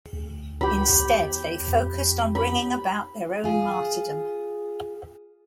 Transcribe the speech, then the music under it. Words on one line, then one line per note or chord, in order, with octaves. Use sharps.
Instead, they focused on bringing about their own martyrdom.
D2
C#2 G4 B5
E2
F2
B5
F4 G#4